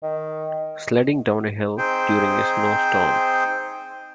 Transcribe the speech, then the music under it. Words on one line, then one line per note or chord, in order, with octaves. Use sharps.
Sledding down a hill during a snowstorm.
D#3
C4 D#4 G#4 C5 G5